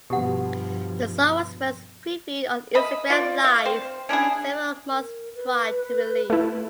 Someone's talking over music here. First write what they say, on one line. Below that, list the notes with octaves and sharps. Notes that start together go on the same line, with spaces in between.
The song was first previewed on Instagram live several months prior to release.
G2 B2 F3 G4 F#5
D#5 E5 B5
F4 D5
F5
C4 C5
C#4 D4 E4 G#4
A#4
B4
A3 E4